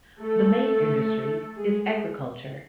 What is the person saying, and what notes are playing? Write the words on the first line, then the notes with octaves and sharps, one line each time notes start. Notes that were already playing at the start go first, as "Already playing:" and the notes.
The main industry is agriculture.
A3 A4
G#3 G#4